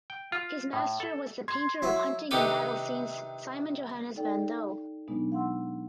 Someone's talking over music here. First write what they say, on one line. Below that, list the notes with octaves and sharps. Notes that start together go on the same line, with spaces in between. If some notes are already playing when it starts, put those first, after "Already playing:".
His master was the painter of hunting and battle scenes Simon Johannes van Douw.
G5
F4
A2
A4
C6 G#6
F#3 E4
C3 D#3 D4 G4 A4 B4
D#4 A4 D5 G5
B2 F#3 G#3 B3 D4 D#4
F5 F#5 C6 E6